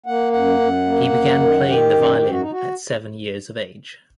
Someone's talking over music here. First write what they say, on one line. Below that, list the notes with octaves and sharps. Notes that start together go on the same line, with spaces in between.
He began playing the violin at seven years of age.
A#3 F#5
F#2 F#5
F#2
A#3
F#2
D#3
D#3 G4
F#2
F#2 G4
F#4
D#4
F#4